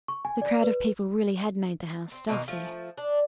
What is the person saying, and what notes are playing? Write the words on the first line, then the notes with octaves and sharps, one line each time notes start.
The crowd of people really had made the house stuffy.
C#6
G#5
D5
B4
C4
B2 D#3 A3 A#3
F3 A3
D4